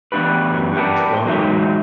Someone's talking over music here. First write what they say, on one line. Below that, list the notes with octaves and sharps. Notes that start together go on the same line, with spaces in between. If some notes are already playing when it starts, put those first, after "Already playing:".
and then Tron,
E3 A3 B3 D4 G4 B4
G4 A#4 B4 D5 F#5 A5
E2 A2 F#3 G#3 D#4 E5